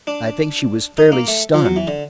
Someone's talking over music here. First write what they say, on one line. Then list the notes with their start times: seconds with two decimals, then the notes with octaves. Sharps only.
I think she was fairly stunned.
0.07 D4
0.98 D#4
1.12 A#3
1.28 A3
1.54 F3
1.65 F#3
1.76 E3
1.88 D3